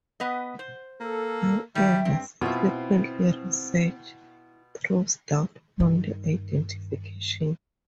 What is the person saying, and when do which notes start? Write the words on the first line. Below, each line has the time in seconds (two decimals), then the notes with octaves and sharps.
However subsequent research throws doubt on the identification.
0.20 B3 B4 D#5
0.59 C5
1.00 A#3 A4
1.75 D#3 G3 E5 G5
2.05 G2 C4
2.41 B2 C4 E4 F4 E5 C#6
5.80 G2 D#3